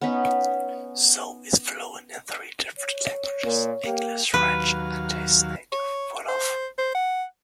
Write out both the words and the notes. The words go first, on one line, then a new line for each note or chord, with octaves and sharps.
Sow is fluent in three different languages, English, French, and his native Wolof.
B3 C#4 D#4 B4
C#5
A#2 A#3
A#3 G4
D#2 F#3 B4 F5
C#5
C5
C5
F#5